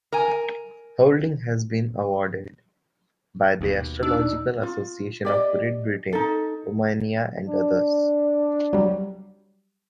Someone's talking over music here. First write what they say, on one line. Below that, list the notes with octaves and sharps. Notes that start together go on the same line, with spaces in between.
Houlding has been awarded by the Astrological Associations of Great Britain, Romania, and others.
A#4 G#5
D#2 B2
D4 D#4 E6
F4
G4 D5 D#5
D#4 A4
D4
F#3 G3